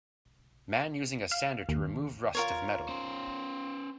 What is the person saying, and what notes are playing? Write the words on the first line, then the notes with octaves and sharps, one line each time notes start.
Man using a sander to remove rust of metal.
F5
D#2
F4 A#4 C#5
C#4 C5